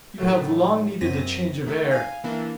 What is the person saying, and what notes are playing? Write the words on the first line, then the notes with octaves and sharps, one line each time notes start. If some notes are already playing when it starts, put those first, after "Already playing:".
You have long needed a change of air.
A2 D#3 F#3 A3
F#2 C4 A#6 B6 D#7
D#3 A3 A4
F5 G#5
E3 A#3 D4